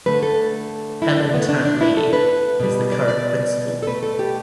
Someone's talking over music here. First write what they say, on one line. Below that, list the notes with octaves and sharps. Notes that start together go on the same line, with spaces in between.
Helen Tan-Lee is the current principal.
D3 A3 B4
A4
E4
D4
D3 A3 B3
D4
D4
E4
A4
B4
B2 G3
D5
D5
A4
B2 A3 B4
A4
G4